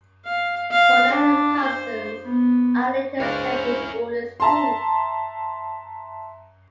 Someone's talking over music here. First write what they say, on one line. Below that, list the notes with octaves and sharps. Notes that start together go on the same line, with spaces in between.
Ponette and her cousins are later sent to boarding school.
F5
F5
D4
C5
B3
C#2 C#4 D4 E4 A#4 C5
E5 A5 A#5 C6